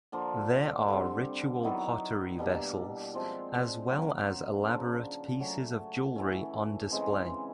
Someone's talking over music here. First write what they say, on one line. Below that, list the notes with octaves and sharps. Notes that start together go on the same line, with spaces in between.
There are ritual pottery vessels as well as elaborate pieces of jewelry on display.
D3 F3 A#3 D4
D3 G3 C4
D#3 F#3 B3 E4
B2 G3 A#3 D4
F3 G#3 C4
F#3 A#3 C#4 F#4
C#3 F3 A#3 D4
F#3 A3 C#4
E3 A3 C#4
C#3 E3 G#3 C4